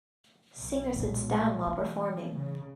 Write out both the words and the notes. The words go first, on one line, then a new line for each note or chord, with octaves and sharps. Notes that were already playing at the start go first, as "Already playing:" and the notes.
Singer sits down while performing.
B1
A#2 G#3
E3
C#3